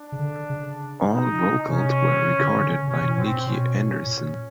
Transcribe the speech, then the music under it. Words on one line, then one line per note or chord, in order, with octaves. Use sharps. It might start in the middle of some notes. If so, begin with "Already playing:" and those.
All vocals were recorded by Nicke Andersson.
Already playing: D4
C#3
D3
C#3
D#4
C3 C#4
C#3
D3
D3
C#3
C3 C#4
B2
A#2 C4
A#2
B2 C#4
A#2